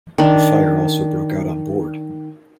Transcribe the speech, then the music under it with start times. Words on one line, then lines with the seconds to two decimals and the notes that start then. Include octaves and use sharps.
A fire also broke out on board.
0.18 D#3 D4